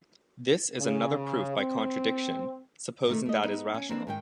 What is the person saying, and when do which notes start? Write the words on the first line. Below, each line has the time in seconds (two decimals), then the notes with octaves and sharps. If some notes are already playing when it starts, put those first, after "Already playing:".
This is another proof by contradiction, supposing that is rational.
0.81 C#3
1.58 C4
3.07 C3 D#3 A3
3.26 A3 D#5
3.43 B3 D#4
3.74 C#4
3.89 A#3 C4 D4 B4
4.07 G#2 D#3 G5